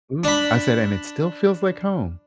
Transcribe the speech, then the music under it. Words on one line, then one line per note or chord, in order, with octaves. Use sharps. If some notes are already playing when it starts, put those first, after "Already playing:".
Ooh. I said, and it still feels like home.
D4 B5